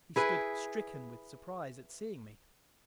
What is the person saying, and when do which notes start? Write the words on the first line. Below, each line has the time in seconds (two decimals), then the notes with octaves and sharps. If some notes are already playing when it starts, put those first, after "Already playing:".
He stood stricken with surprise at seeing me.
0.16 E4 G#4 B4